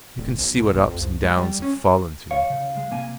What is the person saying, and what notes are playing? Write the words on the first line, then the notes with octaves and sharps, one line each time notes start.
You can see what ups and downs have fallen to me.
D1
B1
B2
A#1
F2
C2
G#3
G3
C#4
C#5 F5
C#3
G#3
C3 A#3 G#5